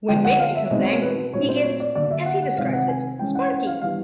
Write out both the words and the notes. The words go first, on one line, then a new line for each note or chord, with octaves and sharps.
When Mick becomes angry, he gets, as he describes it, sparky.
D3 F3 G#3 B3 D4 G5
F#5
F5
E5
B2 G#3 C4 D#4 D#5
C#5
B4
A#2 F#3 A3 C4 D#4 C#5
C5
C#5
D5
D3 F#3 A#3 D4 D5
E5
F#5
F#5
C3 D#3 G#3 C4 F5
F#5
G#5
E3 G#3 C#4 G5
F#5
F#5
F5
E3 G3 B3 D4 F5